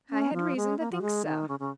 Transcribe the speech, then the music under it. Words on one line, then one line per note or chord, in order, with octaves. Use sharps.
"I had reason to think so."
C#4
F3
G#3
A#3
F3
G#3
D#3
C#3
C#3